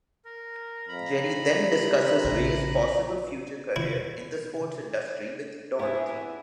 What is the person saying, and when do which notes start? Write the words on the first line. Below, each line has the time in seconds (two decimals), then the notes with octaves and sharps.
Jerry then discusses Ray's possible future career in the sports industry with Dorothy.
0.25 A#4
0.88 F2 A#5 B5
1.52 C3
2.24 A#1 A#2 C#3
3.76 E4
5.79 B3 D4 E4 G#4 E5